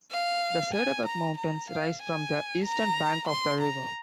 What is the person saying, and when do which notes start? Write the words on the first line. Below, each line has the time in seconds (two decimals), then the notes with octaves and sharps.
The Cederberg mountains rise from the eastern bank of the river.
0.11 F5
0.74 G#5
1.06 A#5
1.37 A#5
1.70 F5
2.02 G#5
2.65 A#5
3.28 C6
3.61 A#5